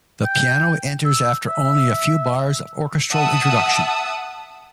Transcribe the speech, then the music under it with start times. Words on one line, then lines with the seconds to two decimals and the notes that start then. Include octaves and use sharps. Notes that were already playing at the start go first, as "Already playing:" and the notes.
The piano enters after only a few bars of orchestral introduction.
0.24 G5
1.05 E6
1.47 E5
3.11 E5 F#5 A5 D#6 E6